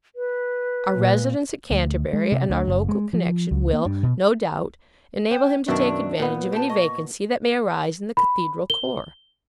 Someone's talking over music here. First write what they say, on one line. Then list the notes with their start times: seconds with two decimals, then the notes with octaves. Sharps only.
Our residence at Canterbury, and our local connexion, will, no doubt, enable him to take advantage of any vacancy that may arise in the Cathedral corps.'
0.16 B4
0.94 A#2
1.71 D2
2.13 G#3
2.32 C3
2.50 D2
2.67 F#1
2.89 G#3
3.13 F3
3.51 C#2
3.73 A#3
3.86 G2
4.03 B2
5.31 C5 G5
5.68 F#2 B2 D#3 D4 E5 C#6
6.20 A#2 B3 B4
6.52 G4 A5
6.69 D#5 C#6
8.17 B5
8.70 G7